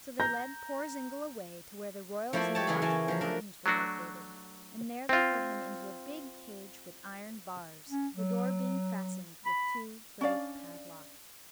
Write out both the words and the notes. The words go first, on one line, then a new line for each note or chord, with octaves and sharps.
So they led poor Zingle away to where the Royal Zoological Gardens were located, and there they put him into a big cage with iron bars, the door being fastened with two great padlocks.
A#5 G6 A#6
F3 A3 E4 C5 D5 B5
G4 C#5 A5
C#3 E3 F#3 G#4 E5 B5
E3 C#4 A#4 G#5 A5
F3 F#3
D4 A#4
F#3 A3 D4 F#4
C4 F4
C#4
F#3
B5
C#4 D4 D5 F5